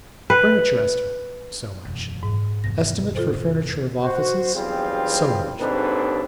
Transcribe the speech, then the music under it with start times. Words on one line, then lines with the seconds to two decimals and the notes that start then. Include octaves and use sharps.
Furniture estimate, so much. Estimate for furniture of offices, so much.
0.30 B4
1.85 E1 F#2 B2
2.23 G#2
2.64 F1 E2 B2 A#6
3.15 F4 A4 C5
4.02 F#4 C5
4.54 B1 E2 G3 C4 F4 G#4
5.59 D#2 G#2 C4 D4 A4 B4